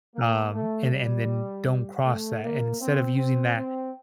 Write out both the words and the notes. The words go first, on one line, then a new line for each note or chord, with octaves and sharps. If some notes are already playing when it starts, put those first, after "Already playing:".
um, and and then don't cross that. Instead of using that
A#3
A3
G3
A3
A#3
C4
C4
C4